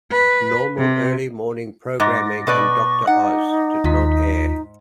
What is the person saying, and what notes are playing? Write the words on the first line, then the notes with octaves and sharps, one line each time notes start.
Normal early morning programming and "Doctor Oz" did not air.
B4
C3
G#2 D6 A6 A#6
B2 B4 D5 C#6
D#4 F#5
D#2 G#2 F4 B6